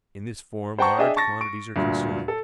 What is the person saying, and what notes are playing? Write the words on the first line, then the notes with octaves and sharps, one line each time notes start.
In this form large quantities are consumed.
C5 F#5 G5 A5 A#5 C#6
D4 G#4 D#5 E5 G5
A5 C#6 A6 A#6
C#6 D7
D2 G2 A#2
A4